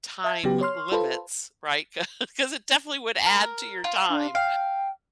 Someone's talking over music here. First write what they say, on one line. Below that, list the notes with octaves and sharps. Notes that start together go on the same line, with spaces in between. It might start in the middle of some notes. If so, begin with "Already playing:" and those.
time limits, right? 'Cau 'cause it definitely would add to your time.
E5 A5 G#6
C#3 F#3 B3 G4
C#5 C6 F6
F4 A4 B4 C5
A#4
F4
D4
F5 G5